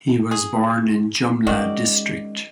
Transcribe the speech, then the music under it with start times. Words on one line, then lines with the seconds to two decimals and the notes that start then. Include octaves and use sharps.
He was born in Jumla district.
0.31 G#4
1.47 D#3 G#3 C#4 F#4 D5